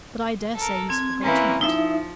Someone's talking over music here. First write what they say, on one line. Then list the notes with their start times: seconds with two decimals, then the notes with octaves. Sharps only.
"But I dare say he's forgotten it."
0.55 A4 A#4
0.90 C4 G#6
1.22 E3 A#3 C#4
1.61 F3 D#4 E4 E5